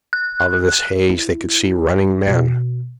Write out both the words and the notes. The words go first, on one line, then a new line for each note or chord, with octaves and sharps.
Out of this haze they could see running men.
F#6
E4
B2